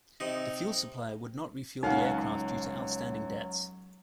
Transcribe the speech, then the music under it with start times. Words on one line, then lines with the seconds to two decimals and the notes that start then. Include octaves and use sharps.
The fuel supplier would not refuel the aircraft due to outstanding debts.
0.20 C3 D#4
1.83 C#2 F#3 C#4 D#4 F5 F#5